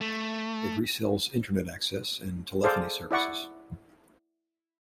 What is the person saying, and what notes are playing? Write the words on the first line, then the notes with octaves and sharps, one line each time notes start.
It resells internet access and telephony services.
A3
G#4 A4 C5 D5 F5
E4 D5 F#5 C#6